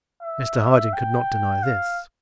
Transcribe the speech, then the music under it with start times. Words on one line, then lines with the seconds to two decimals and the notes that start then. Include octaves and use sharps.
Mr Harding could not deny this.
0.23 E5
0.93 G5
1.63 F5